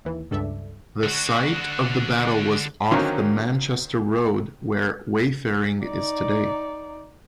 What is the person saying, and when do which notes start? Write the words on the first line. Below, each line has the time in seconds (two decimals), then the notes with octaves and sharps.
The site of the battle was off the Manchester Road where Wayfaring is today.
0.05 D#2 E3
0.31 C#2 G2 A4 D5 E5
1.03 D3 F#4
2.91 D3 D#3 F#3 A#3 C4 C#4
5.83 D#4 D5